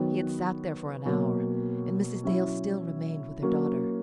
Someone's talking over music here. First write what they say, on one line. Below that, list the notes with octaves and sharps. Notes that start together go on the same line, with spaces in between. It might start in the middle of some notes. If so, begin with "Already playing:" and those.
He had sat there for an hour, and Mrs. Dale still remained with her daughter.
Already playing: D#3 F#3 B3
B2 F#3 A#3
F#3 C#4 E4
F#3 A#3 C#4